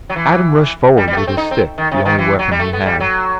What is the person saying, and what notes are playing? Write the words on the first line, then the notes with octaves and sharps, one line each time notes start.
Adam rushed forward with his stick, the only weapon he had.
F#3
E3
G3
G3
B3
A3
C4
D#4
C4
D#3
C3
D#3
E3
F#3
G3
A3
B3
G3
F#3